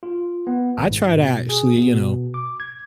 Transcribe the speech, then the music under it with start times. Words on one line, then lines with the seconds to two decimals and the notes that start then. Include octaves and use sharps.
I try to actually, you know,
0.03 F4
0.47 B3
0.77 G#1
0.91 G#2
1.15 B2
1.49 G#4
1.76 B2
2.34 D6
2.60 G#6